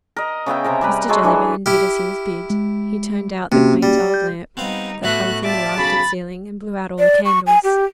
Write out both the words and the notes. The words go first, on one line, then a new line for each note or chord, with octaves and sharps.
Mr. Jellyband did as he was bid--he turned out the quaint old lamp that hung from the raftered ceiling and blew out all the candles.
A#4 D#5
C#3 B3 E5 G5
C3 A#4 A#5
G3 A#4 B4
F#3 G#3 G#4 A4
E3 D4 C#5
E4 G4 F6
G#3
C3 A#3 C#4 F#4
G3
G6
G3 B3 C4 D#4 F5
A2 A3 B3 F#4 B4 E5 F#6
F4 G4 D5 E5 A5 D6
B1 C#3 B5 A6
D5
C#6
G#5
G4